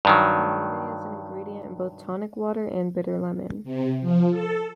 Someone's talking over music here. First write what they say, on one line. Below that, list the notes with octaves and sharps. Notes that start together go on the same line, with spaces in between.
Quinine is an ingredient in both tonic water and bitter lemon.
G2 D#3 F#3
C3
F3
A4